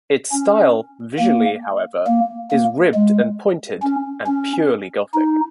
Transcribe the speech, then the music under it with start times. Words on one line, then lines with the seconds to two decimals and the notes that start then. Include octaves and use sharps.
Its style, visually however, is ribbed and pointed and purely Gothic.
0.32 C#4
1.19 A#3
2.07 A#3
2.51 A#3
2.95 G#3
3.83 C#4
4.27 C#4
5.14 D#4